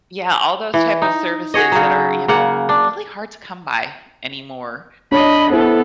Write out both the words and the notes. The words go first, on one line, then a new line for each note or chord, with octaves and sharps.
Yeah, all those type of services that are, you know, r really hard to come by anymore.
E3
D#4
F#4 G#4 C#5 D#5
C#3 F#3
C#3 A#3 F#5
D4
D4 C#5 D#5 B5
B3 E4 A4 C5